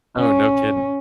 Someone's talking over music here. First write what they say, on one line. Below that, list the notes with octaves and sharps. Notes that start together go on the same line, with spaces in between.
Oh, no kidding.
C#4